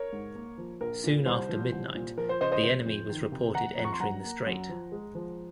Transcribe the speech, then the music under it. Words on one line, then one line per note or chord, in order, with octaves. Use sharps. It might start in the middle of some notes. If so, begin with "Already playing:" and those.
Soon after midnight the enemy was reported entering the strait.
Already playing: A#4 C#5
G#2
A#3
F3
A#1 A#4
A#2
C2 C5
F3
C2
A#2
F3 A#4
C5
C#3 C5 D#5
C5 D#5
F1 C5
F2
D#3
C3
F#1 F#5 A#5
F2
C#6
C6
F#2 F#5 A#5
A#3
F#2
F3
G#3
F3